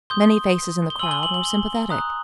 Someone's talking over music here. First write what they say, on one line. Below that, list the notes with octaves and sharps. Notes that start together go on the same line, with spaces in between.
Many faces in the crowd were sympathetic.
C6 D#6 G6 G7
G7
G#5 C6 E6 F#7
G7
F#7
F#7
G7
A#5 D#6 F#6